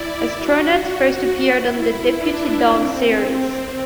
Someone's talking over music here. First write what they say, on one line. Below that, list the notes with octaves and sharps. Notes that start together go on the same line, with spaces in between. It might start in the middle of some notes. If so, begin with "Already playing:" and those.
Astronut first appeared on the "Deputy Dawg" series.
Already playing: E4 D5
F#4
F#4
E4
D4
C4
C4